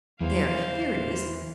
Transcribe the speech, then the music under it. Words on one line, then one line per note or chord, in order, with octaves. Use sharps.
There, here it is.
E2 E3 C5 F5